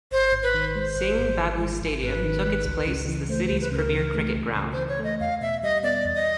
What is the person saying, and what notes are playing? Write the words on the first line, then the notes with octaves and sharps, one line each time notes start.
Singh Babu Stadium took its place as the city's premier cricket ground.
G#1 C5
G#2
B4
D#3
G#3 C5
G#1
G#2
D#3
G#3
G#1
G#2 B4
D#3
G#3
C#2
C#3
E3
A3 C5
C5
C#2
B4
C#3 B4
A#4
E3
A3
C#2
C#3
C5
E3
C#5
A3 D#5
E2 F5
B2 E5
G3 D#5
B3 D5
E2
D#5